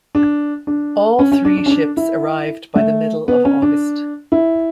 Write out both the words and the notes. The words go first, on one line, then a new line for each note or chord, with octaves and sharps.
All three ships arrived by the middle of August.
D4
D4
C#4
C#4
D4
D4
C#4
D4
E4
A3
B3
C#4
D4
E4